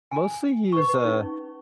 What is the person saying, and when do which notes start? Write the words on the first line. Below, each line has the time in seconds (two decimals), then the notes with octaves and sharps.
mostly use, uh,
0.11 G#5
0.72 B4 C#6
1.05 C#4 D#4